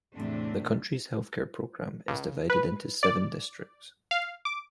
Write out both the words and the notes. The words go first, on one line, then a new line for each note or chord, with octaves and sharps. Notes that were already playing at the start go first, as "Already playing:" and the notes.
The country's healthcare program is divided into seven districts.
E2 A2 C3 A3 D4
C#2
B4
D5
F5
D6